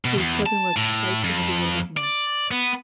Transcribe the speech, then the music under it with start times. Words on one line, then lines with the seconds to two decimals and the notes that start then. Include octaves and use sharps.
His cousin was Sheikh Mujibur Rahman.
0.05 B2
0.18 E2
0.46 A5
0.77 A2
1.24 F2
1.97 D5
2.51 B3